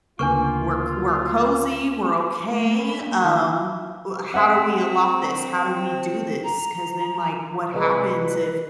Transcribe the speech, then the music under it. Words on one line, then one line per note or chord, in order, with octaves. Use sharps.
we're c we're cozy, we're okay, um, u how do we allot this? How do we do this? 'Cause then like, what happens if,
D2 C#3 A#3 D4 F4 B4 C#6
A3
A3
B5
B6
A#3
D#3
E5
C4 E5 F#5
A#5
C2 G#3 B4 A#5